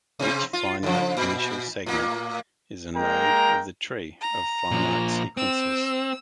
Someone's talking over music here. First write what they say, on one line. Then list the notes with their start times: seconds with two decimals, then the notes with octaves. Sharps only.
Each finite initial segment is a node of the tree of finite sequences.
0.19 C3 C4
0.53 F4
0.83 C#3 F3
1.17 A#2
1.86 A2 A#3
2.95 G#3 A#3 A#4 G5 A#5
4.21 A#5
4.71 A#2 F3
5.37 C4 E6